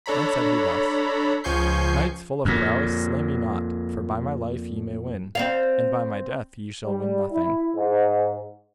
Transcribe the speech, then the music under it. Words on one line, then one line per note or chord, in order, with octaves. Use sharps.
Then said he thus: Knights full of prowess, slay me not, for by my life ye may win, and by my death ye shall win nothing.
D4 A4 C#5 A#5 B5
C#2 F3 G#5 C#6 G6 C7
F2 A#2
C4 D5 F5
G3
E4
G#2